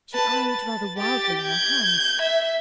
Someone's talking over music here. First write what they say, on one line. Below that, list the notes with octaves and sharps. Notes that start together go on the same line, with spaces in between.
She eyed rather wildly her hands.
B4 A5
A6
G4 A6
G6 G#6
E5